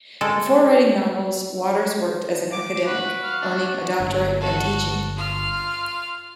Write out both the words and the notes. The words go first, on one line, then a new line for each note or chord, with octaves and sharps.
Before writing novels, Waters worked as an academic, earning a doctorate and teaching.
G#3 A4
D6
F#4 B4
F5
D4
G1
F#4 A4
F4 F6